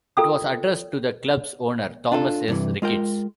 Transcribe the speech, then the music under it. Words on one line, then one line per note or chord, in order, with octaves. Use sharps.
It was addressed to the club's owner Thomas S. Ricketts.
F4 A4 A#4 G5 D#6 E6
D4 F4 A4
G2 C3 E3
G#3 F4 A#4 G5